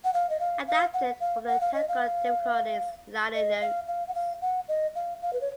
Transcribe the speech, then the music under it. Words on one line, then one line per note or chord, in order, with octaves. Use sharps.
Adapted from the "Technical Difficulties" liner notes.
F#5
F5
D#5
F5
F5
F#5
F5
F#5
F5
D#5
F5
D#5
F5
F5
F#5
F5
F#5
D#5
F5
F5
B4
C#5